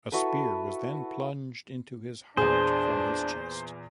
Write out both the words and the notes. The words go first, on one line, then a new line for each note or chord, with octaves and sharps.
A spear was then plunged into his heart from his chest.
E4 F#4 A4 B4
E2 A#2 D4 G#4 C5